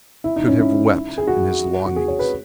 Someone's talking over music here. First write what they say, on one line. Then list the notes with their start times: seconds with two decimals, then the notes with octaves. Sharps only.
He could have wept in his longings.
0.24 E4
0.36 D#4
0.48 C#4
0.59 E4
1.18 G#4
1.27 F#4
1.86 F#4
1.96 G#4
2.08 C#5
2.19 B4